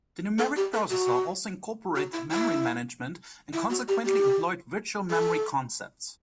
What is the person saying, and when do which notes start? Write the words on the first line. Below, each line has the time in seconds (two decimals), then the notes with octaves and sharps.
The numeric processor also incorporated memory management and consequently employed virtual memory concepts.
0.38 A4
0.56 G4
0.73 A4
0.90 F#4
1.95 F#4
2.13 E4
2.31 E4
3.53 E4
3.70 F#4
3.88 G4
4.05 G4
5.10 A4